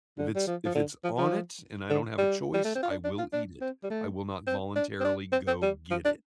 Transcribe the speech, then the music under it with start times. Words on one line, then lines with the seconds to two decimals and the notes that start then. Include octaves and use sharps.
if it's if it's on it, and I don't have a choice, I will eat it. I will not voluntarily go get it,
0.18 D3
0.35 G3
0.47 F3
0.65 F3
0.75 D3
1.04 F3
1.18 F3
1.90 D3
2.18 G3
2.54 G3
2.64 A3
2.75 C4
2.83 F4
2.90 D4
3.04 D4
3.18 F4
3.33 D4
3.61 C4
3.83 G3
3.90 A3
4.47 C4
4.75 D4
5.00 C4
5.05 D4
5.32 C4
5.47 C4
5.62 G3
5.91 F3
6.05 D4